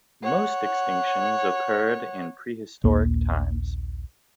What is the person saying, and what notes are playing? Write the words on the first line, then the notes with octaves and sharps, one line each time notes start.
Most extinctions occurred in prehistoric times.
C#5 F#5
A#1 D#2 A#3